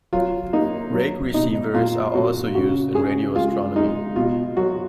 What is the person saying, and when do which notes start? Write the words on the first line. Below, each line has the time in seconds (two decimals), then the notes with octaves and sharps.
Rake receivers are also used in radio astronomy.
0.13 F#3 F4
0.53 A#3 D#4
0.93 F#3
1.34 B2 D#4
1.74 A#2 F4
2.15 A#2 F#4
2.55 C#3 F#4
2.95 C#3 G#4
3.35 G#3 F4
3.76 G#3 D#4
4.16 B2 F4
4.57 F#3 F#4